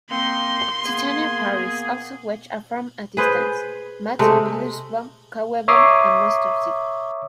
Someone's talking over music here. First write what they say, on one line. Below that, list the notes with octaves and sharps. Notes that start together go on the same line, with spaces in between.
Titania's Fairies also watch from a distance: Moth, Peaseblossom, Cobweb and Mustardseed.
A#3 C4 D#4 C6
A#3 B3 G#4
G#4 B4 C5
C3 G#3 A3
C#5 E5 A#5 D6 D#6 C7